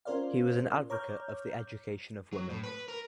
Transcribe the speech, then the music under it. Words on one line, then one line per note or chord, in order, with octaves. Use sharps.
He was an advocate of the education of women.
C#4 F4 A#4 C5 D5 F5
C#5 A#5 D6 F6 G6
F#3
A2
B4
A#4